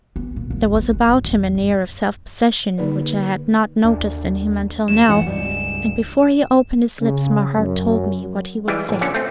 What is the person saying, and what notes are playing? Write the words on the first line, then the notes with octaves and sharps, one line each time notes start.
There was about him an air of self-possession which I had not noticed in him until now, and before he opened his lips my heart told me what he would say.
B3
A#2
F#2
G#1
B3
D3
G1
E2
G2
D3 A#3 D#4 G#4 B4 D5
D#2 D4
D#2 A3 E7
F#2 E3 B3 C#4 F#5
C#2 G2 G3 G#3
C#3
F#2
E3 G3 G#3
A1
A#2 D3 C#4 A4 F#5
A3 C4